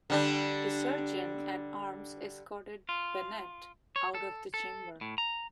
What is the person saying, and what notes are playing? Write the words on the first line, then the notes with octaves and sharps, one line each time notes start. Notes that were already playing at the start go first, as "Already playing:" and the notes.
The Sergeant at Arms escorted Bennett out of the chamber.
D3 G3 D4
F4
C#5
A4
A4
A2
A#5